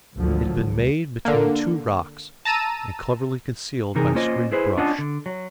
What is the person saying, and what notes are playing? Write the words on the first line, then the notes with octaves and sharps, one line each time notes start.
It had been made between two rocks, and cleverly concealed by a screen of brush.
G#1 D2 D3 F3 F#3
C#2
D3 A#3
A5 A#5 E6 D#7
C3 E3 D#4 G#4 A#4
A#3 C#4 F4 C5 D#5
E4 G#4 B4 C5
C#4 D4 F4 D#5 F#5 A5
D3
F#3